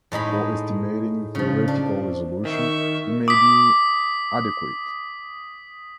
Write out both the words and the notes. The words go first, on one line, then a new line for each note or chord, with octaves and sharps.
For estimating theoretical resolution, it may be adequate.
A2 G#3 D#4 B5
C#3 F3
D4
D#3 E5 C#6
D6 D#6 B6